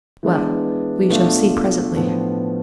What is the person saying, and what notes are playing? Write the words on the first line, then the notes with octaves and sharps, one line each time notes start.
Well, we shall see presently.
E3 G#3 B3 D4
B2 A3 D4 F4
A2 F3 B3 D4 F4